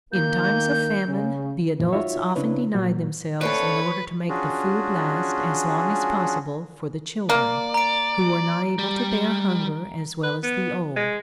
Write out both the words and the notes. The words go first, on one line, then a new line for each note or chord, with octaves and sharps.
In times of famine, the adults often denied themselves in order to make the food last as long as possible for the children, who were not able to bear hunger as well as the old.
D#3 A#3 G6
C#3
F#2 A#2 E3
D#4 F4 F#4 C#5 E5
C#3 C4 D4 E4 B4 C#5
A#2 F#3 A#3
D2 C4 A4 B4 C#5
C#4 D4 F4 F#4 G#4
A#3 D5
A#5 D7
G3
B4
B3
G#3